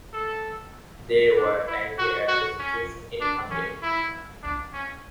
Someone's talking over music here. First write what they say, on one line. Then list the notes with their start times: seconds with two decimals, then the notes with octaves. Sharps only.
They were angry at the situation in Hungary.
0.14 A4
1.37 D4
1.67 E4
1.98 F#4
2.28 F#4
2.59 C#4
3.21 D4
3.51 C#4
3.82 E4
4.43 D4
4.73 C#4